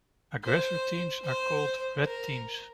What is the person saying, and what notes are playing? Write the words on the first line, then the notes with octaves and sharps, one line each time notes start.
Aggressor teams are called "red" teams.
C5
C5
A#4